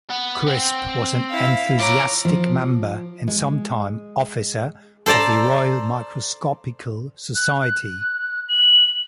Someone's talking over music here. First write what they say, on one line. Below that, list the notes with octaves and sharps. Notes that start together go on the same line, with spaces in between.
Crisp was an enthusiastic member, and sometime officer, of the Royal Microscopical Society.
B3
C4
E4 F5
F3 A#4 C#5 D6
F3
G#3
A4 C5 D5 A5 A#5
F#6
F#6
F#7